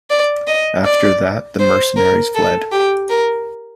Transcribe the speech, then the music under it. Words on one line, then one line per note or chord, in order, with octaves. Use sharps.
After that the mercenaries fled.
D5
D#5
D5
C5
A#4
A4
G4
A#4